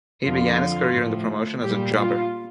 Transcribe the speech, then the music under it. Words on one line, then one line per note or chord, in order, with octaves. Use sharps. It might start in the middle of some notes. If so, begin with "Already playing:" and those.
He began his career in the promotion as a jobber.
F2 D3 F3 F4
A2 F3
A#2 G3 G4
F4